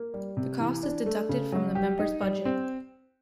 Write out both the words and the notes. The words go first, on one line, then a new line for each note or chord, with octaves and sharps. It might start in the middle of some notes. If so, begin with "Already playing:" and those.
The cost is deducted from the Member's budget.
Already playing: A#3
G3
C3
E3
D4
A3
C#3
F#3
G4
D#4
G3
C4